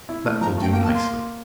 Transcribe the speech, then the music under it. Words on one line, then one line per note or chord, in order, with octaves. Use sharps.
That will do nicely.
E4
A3
F3 A#5
A3 G5
A#3 G5
A5
A#3
C6